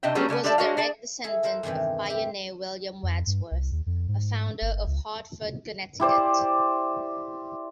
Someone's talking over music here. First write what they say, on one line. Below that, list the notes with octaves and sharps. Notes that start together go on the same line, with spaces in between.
He was a direct descendant of pioneer William Wadsworth, a founder of Hartford, Connecticut.
C3 D4 D#5 E5 G5
F#3 G3 A3 B3 C#4 G#4
C#3 A3 D5 G#5
D4 G4 A4 D5 E5 A5
G#3 D4 F#4 C#5 D#5 F5
G#4 D5 A5
E4 G#4 A4
A4 A#4 C5 F#5
E2 G2 C3 D#3 E3
G4 E5
F2
G2
C2
D#2
F2
G#2
G1
C#2
E4 G4 C5 D5